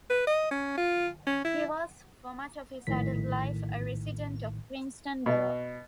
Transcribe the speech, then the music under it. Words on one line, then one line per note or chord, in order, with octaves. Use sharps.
He was, for much of his adult life, a resident of Princeton Borough.
B4
D#5
C#4
F4
C#4
E4
A#1 A2 D#3 B6
B2